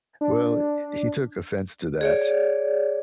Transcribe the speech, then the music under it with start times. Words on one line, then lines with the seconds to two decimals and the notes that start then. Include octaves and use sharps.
Well, h he took offense to that
0.21 D4
2.01 G#4 C#5 D5